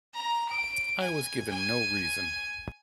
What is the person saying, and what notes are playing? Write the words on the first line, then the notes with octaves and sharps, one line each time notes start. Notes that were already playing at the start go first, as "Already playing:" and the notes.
I was given no reason.
A#5
D7
G#5
G#5